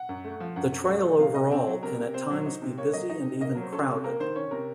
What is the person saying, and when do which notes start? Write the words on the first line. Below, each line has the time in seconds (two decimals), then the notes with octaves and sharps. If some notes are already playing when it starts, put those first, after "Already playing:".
The trail overall can at times be busy and even crowded.
Already playing: F#5
0.09 F#2
0.24 A3
0.40 F3
0.56 F#2 F#5
0.72 F#2
0.88 A3
1.03 F3
1.19 C3 F5
1.35 C3 D#5
1.51 C4
1.67 F#3
1.83 C3 A#4
1.99 C3
2.14 C4 C5
2.30 F#3
2.46 D#4
2.62 C3
2.78 A#3 C#5
2.93 F#3 D#5
3.09 D#4 D#5
3.25 C3
3.41 A#3 D#5
3.55 F#3 A#4
3.62 C5
3.72 C#4 A4
3.89 C3
4.04 A#3 A#4
4.20 D#3 C5
4.35 C#4 C#5
4.51 C3 A#4